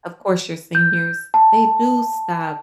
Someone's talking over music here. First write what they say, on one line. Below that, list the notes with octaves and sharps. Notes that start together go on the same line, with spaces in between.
of course, your seniors, they do stop
G6
A5